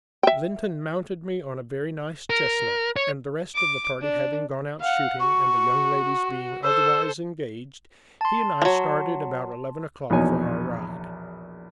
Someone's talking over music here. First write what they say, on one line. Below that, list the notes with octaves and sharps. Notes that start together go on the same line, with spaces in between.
Lynton mounted me on a very nice chestnut, and the rest of the party having gone out shooting, and the young ladies being otherwise engaged, he and I started about eleven o'clock for our ride.
E5 G5
A#4
C#5
D6
D4
F5 F#5
F#4 C#6
A4 C5 E6
A5 C6
F3 F#3
A#1 E2 B2 D#4 C#5 G#5